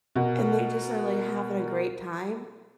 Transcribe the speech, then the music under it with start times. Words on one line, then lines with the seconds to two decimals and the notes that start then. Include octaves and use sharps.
and they just are like having a great time.
0.16 B2 A#4